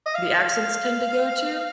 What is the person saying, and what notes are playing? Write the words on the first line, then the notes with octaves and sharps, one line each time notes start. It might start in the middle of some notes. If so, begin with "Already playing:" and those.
the accents tend to go to,
D#5
F5